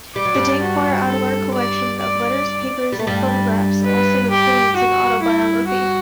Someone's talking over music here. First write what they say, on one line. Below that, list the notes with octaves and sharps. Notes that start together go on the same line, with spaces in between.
The Dankmar Adler Collection of letters, papers, and photographs also includes an autobiography.
G3 D5
F#3
G2 G3
F#4
A4
D5
D5
G3
A3
G2 G3
B4
G4
F#4
E4
F#4